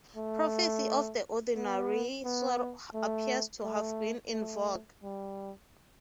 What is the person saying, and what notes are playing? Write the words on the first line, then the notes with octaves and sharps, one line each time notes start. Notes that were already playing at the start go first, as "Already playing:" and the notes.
Prophecy of the ordinary sort appears to have been in vogue.
A3
B3
B3
A3
A3
A3
G3